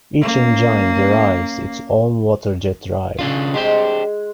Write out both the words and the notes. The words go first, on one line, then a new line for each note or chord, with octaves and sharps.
Each engine drives its own water jet drive.
A#3 C#4
C#3 D4 F4
G#3 D4 G4 C5